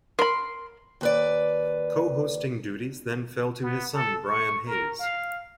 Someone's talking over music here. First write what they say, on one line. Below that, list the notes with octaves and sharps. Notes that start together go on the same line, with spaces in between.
Co-hosting duties then fell to his son, Brian Hayes.
A#4 B5 C6
D#2 B4 D5
B3
A4
C#6
A#4
F5